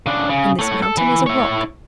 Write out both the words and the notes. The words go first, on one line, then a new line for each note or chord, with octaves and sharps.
In this mountain is a rock.
C#3 D4
C#3
A3 C#5
A4
E3
E4 C#5